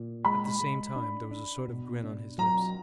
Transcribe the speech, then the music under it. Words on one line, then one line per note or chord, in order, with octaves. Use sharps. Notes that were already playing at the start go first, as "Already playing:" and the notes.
At the same time there was a sort of grin on his lips.
Already playing: A#2
G#3 B5
G#3
D4
D4
B2
D4
F#3 A#5